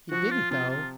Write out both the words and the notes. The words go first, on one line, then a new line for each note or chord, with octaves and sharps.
"He didn't, though!"
F3 F#4
F4
C3 F4
F4